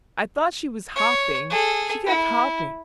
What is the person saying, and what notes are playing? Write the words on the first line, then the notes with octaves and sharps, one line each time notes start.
I thought she was hopping; she kept hopping....
C#5
G#4 A4
E4